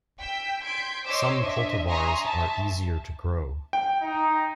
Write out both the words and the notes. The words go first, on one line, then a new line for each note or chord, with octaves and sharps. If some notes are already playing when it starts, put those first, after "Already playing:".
Some cultivars are easier to grow.
G5 E6 G6 B6
C6 G6 G#6 B6 D7
C5 C#5 D#5 C6 D6 E6
D4 D#5 E5
E5 G#5 A#5 C6 C#6 D#6
E5 A5
G5
D#4